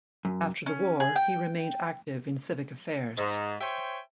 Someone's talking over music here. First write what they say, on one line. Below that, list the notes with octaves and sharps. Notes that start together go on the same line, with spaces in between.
After the war he remained active in civic affairs.
F#2
C#4
G#4
G5
G#2
C5 C#5 E5 G5 G#5